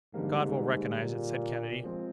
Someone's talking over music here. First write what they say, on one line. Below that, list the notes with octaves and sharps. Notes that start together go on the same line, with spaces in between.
"God will recognize it!" said Kennedy.
G#2 D3 G3 A#3
A#2
F3 G#3 C4